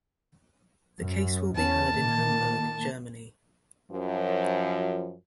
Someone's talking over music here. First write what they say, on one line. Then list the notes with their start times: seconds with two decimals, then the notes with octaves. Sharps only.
The case will be heard in Hamburg, Germany.
1.01 F#2
1.55 E2 B3 C#4 A5
1.96 A#2 D#3 A#3
3.91 F#2 F3